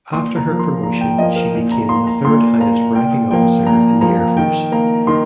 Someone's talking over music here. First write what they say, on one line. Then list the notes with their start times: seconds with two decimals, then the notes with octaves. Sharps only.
After her promotion she became the third highest ranking officer in the air force.
0.12 A#2 C6
0.36 A#5
0.48 F3 A#3
0.59 C6
0.83 A#2 A#5
1.01 G5
1.18 F3 A#3 D#5
1.36 A#4
1.54 A#2
1.72 A#5
1.89 A#3 C6
2.07 A#5
2.25 A#2 C6
2.60 A#3 A#5
2.95 A#2 G5
3.31 F3 A#3 G5
3.66 A#2 A#5
4.01 F3 A#3 A#5
4.37 D#3 G5
4.72 A#3 A#5
5.07 D#3 C6